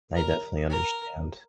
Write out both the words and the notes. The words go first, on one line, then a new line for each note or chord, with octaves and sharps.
I definitely understand.
A#4
A#4